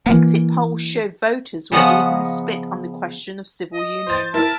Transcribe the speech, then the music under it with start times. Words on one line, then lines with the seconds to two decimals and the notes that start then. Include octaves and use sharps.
Exit polls showed voters were evenly split on the question of civil unions.
0.06 E3 A#3
1.72 C#3 F3 B3 D#5 F#5 A#5
3.74 D#5
4.06 C5 A6
4.34 E4 A#4 A5